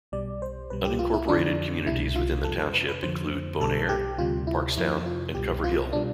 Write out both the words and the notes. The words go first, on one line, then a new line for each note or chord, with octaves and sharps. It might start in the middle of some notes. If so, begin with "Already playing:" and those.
Unincorporated communities within the township include Bon Air, Parkstown, and Cover Hill.
B1 B2 G3 D5
C5
C2 B2 G3 B4
G4
F4
E4
F2 D3 F3 D4
C2 B2 G3 E4
F4
F2 C3 G3 A4
A4
B4
B4
F2 D3 F3 C5
B1 B2 G3 A4
G4
D2 C3 G3 F4
E4
F2 C3 F3 E4
F4
C2 B2 G3 G4
F4
B2 G3 D4